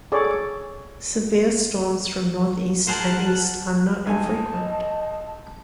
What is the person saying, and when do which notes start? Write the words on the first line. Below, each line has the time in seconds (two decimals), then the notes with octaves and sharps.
Severe storms from northeast and east are not infrequent.
0.12 G#4 A4 C#5 D5
2.87 G#4 A#4 C5 F#5 A5
4.06 B1 D#5 G#5 A5